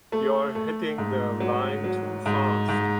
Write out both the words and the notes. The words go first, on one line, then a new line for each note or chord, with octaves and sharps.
You're hitting the line too fast!
A3
A3
G#2
F#3
F#3
G#2
G#2